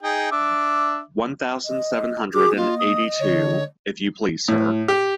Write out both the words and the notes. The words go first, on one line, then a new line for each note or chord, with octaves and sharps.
One thousand seven hundred and eighty-two, if you please, sir.
D#4 G#4 G5
D4 E5 D6
D#5
F#4 G#4 D6
A#3 F4 D#5
D#6
D3 C#5
A2
G4